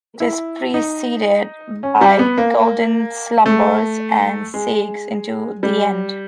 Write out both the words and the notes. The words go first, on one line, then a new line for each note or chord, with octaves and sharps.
It is preceded by "Golden Slumbers", and segues into "The End".
E4
D#4
C#4
G3
B3
A#3
A3
G#3
G3